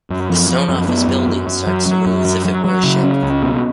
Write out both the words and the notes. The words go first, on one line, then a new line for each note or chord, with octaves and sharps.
The stone office building starts to move as if it were a ship.
F#2
F3
F3
F#2
B3
F#2
F#2
F#2
F#3
F#3
F#2
F#3
F#3
F#3
C#3
C#4
C#2
B2